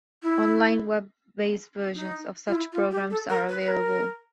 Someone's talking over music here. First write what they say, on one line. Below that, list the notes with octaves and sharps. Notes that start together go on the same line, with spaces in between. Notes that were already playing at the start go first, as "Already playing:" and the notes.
On-line web-based versions of such programs are available.
E4
D#4
F4
E4
F4
G4
A4
A#4
B4
B4
A#4